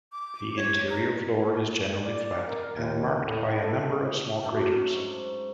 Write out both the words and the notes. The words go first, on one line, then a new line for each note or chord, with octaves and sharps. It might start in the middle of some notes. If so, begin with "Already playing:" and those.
The interior floor is generally flat, and marked by a number of small craters.
D6
C#5
A#5
D5
A#4
D#2
A2
A4
F#2 A3 D4
G#2 C#6